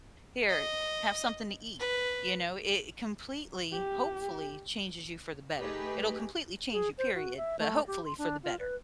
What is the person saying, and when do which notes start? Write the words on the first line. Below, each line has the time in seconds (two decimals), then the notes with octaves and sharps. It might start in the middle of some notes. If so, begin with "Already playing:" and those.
Here, have something to eat," you know, it completely, hopefully changes you for the better. It'll completely change you, period, but hopefully for the better.
0.49 D#5
1.79 B4
3.72 G4
5.59 A3 D#4 G4 G#4 B4
6.72 G#4
6.98 C5
7.14 F#4
7.37 E5
7.59 A3
7.87 G4
8.05 C6
8.18 D4
8.43 F4
8.59 B4